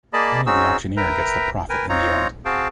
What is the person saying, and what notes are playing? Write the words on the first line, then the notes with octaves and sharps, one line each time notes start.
Only the auctioneer gets to profit in the end.
A#3 G#4 D5 D#5 A5 B5
C4 C#4 D#4 F#4 G#4 E6
A#4 B4 E5 G5 A#5
A#4 B4 G5 G#5
C4 D#4 F4 C#5 A#5
C4 F#4 G#4 F5 G5 A5